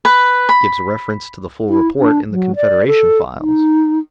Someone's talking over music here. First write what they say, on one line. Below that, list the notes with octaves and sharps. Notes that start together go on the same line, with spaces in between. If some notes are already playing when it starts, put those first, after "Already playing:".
Gives reference to the full report in the Confederation files.
B4
B5
E4
D4
F#3
D5
A4
D#4